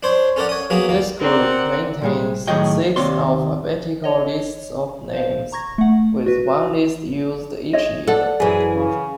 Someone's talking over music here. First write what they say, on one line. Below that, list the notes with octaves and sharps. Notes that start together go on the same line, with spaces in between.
This group maintains six alphabetical lists of names, with one list used each year.
D4 C5 C#5
C#4 A4 A#4 D5 F#5
C#5 D#6
F#3 A#3 B3 G#4
D#2 A#3
C4 A#4 D5 F#5
A#2 G3 G#3
A2 D#3 F#3 G#4 D#5 G5
D#2 C3 C#5 D5 C6
C#5 D#5
C5 F5
A#5 C#6 G#6 A#6
A3 F#5
F#4 B4
G#4 C#5 D#5
A4 D5 F#5
F#2 E3 G#4
C#3